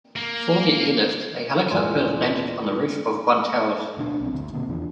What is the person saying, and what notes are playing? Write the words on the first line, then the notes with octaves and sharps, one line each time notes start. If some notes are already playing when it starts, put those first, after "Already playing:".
For the airlift a helicopter landed on the roof of one towers.
A#3
E2 A#2 G#3 D5 G#5 C6
D2 B2 A3 D4
B1 C4
G1 D2
B2 D3 A#3 C4
E2 E3 F3 D4